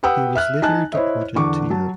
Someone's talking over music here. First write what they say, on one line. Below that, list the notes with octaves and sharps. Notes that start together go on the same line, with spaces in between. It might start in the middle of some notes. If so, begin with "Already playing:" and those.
He was later deported to Europe.
G4 B4 F#5 G5 D#6 E6
E5 F6 F#6
D#4 G#5 A5 F#6
E4 C5 C#5 D#5 E5
E2 D3 C#6 D6
F#3 A5